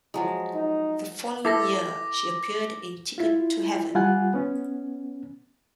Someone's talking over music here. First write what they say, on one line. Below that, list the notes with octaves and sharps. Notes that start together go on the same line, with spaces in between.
The following year, she appeared in "Ticket to Heaven".
F3 F#3 G#3
D#4
E4 A4 D6 A#6
E4 F4
G3 F4 F#5 G#5 F#6
B3 C#4